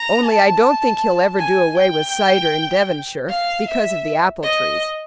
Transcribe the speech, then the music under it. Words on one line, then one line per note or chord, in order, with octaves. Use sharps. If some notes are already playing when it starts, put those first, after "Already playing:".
Only I don't think he'll ever do away with cider in Devonshire, because of the apple trees.
Already playing: A#5
A5
G#5
G5
F5
E5
D#5